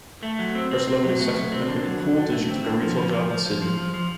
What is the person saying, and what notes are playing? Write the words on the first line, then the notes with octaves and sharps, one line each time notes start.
Her celebrity subsequently cooled and she took a retail job in Sydney.
A3
F#3
C4
C4
C4
F#3
A3
F#3
C4
D3
F#3
F#3
D3
A3
C4
D3
F3
F3
F3
F3
F3
F3
F3
F3